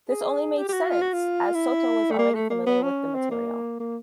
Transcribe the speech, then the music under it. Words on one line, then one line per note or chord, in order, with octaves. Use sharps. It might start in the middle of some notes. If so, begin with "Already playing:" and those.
This only made sense, as Soto was already familiar with the material.
G#4
G4
G4
F#4
F4
F#4
F4
E4
A3
A#3
A3
A#3
B3
C#4
C4
A#3
A#3